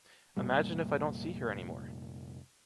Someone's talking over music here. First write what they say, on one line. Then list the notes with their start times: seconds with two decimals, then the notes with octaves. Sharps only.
Imagine if I don’t see her anymore.
0.37 F1 A#2 G3